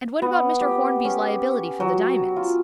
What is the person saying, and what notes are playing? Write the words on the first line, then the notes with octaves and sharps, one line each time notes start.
"And what about Mr. Hornby's liability for the diamonds?"
B3
G4
C#4
F#3
F4